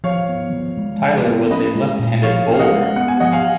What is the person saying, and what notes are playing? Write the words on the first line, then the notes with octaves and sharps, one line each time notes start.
Tyler was a left-handed bowler.
F3 C#5 F5
B3
F3
G#3
F3
B3
C#4 B4 D#5
G#3
A#2
F3 C#5 F5
C#4
F5
D#5 F#5
G#3
B3 F#5
G#5
F3 D#5 F#5
F5 G#5